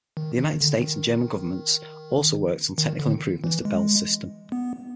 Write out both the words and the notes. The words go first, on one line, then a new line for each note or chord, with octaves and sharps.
The United States and German governments also worked on technical improvements to Bell's system.
D#3
D#3
D3
D#3
D#3
D3
E3
G#3
B3